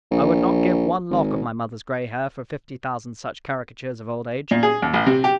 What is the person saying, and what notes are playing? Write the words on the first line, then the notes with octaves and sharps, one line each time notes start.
I would not give one lock of my mother's gray hair for fifty thousand such caricatures of old age.
A#1
G#1
A#2
G#4
D#2
A1
C3
G4